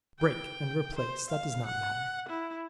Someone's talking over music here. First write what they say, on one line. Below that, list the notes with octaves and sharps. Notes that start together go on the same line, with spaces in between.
Break and replace; that does not matter.
G5
C5
F5
F#5
E4